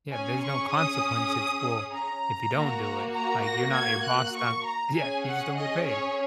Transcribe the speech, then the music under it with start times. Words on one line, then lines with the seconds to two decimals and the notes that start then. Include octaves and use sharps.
Yeah, there's no consequence if well, if you don't do it, like, you're not your boss don yeah, you just don't get paid.
0.11 C#4 G#4 G#5
0.42 C#6
0.72 D#6
1.93 A#5
2.54 A#3 F#4
3.14 A#5
3.45 A#6
3.74 G#6
4.04 F#6
4.36 C#6
4.66 A#5
4.96 C#4 G#4 G#5
5.27 F#5
5.56 D#5
5.87 C#5